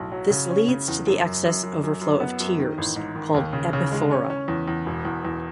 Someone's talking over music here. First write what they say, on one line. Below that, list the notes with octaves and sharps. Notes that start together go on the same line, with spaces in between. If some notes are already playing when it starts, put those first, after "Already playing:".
This leads to the excess overflow of tears called "epiphora".
Already playing: B1 A2
F#3
C#3
C#4
C#3
E2
F#2
F#2
F#2
F#2
F#2
F#2
B3
F#2
D#3
A1
G#2
D#3
D#2
C#3
C#3
G#3
C#4
C#4
E2
E2
E1
E2
E2